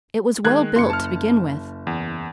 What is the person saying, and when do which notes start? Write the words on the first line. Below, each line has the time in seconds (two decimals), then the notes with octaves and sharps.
It was well built to begin with.
0.45 D#3 G#3 F#6 G#6
0.76 F#1 C6 C#7
0.90 A5 F6
1.87 E2